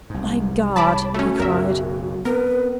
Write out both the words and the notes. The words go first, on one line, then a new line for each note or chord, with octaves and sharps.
"By God!" he cried.
C2 G#2
C#5 A5 B5 D6
A3 C#4 F#4
B1 F#2 C#3 A#4 E5
B3 C4 A#4 B4